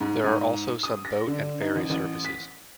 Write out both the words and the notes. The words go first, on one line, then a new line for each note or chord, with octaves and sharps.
There are also some boat and ferry services.
G#2
G#2
D#6
A#6
D3
D#4
A1
A1
B6